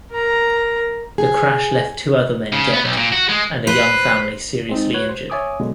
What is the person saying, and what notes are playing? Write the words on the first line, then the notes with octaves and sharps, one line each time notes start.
The crash left two other men dead and a young family seriously injured.
A#4 A#5
G#4
C#3
B3
B1
A#2
F#4
G#3
B4 C5
G#3 C4 D#4
F#4 B4 C#5 F#6 G#6
C5
C#5 E5 G#5 D6 D#6
B2 D3 F#3 G#3 B3